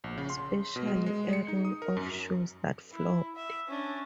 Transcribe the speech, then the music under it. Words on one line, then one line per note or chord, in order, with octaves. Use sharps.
Special airing of shows that flopped.
A#1
C#3
C6
B2
G#3
G#3
C#7
D#4
D#6
A#4
F#2
E4
E5
C#4 D4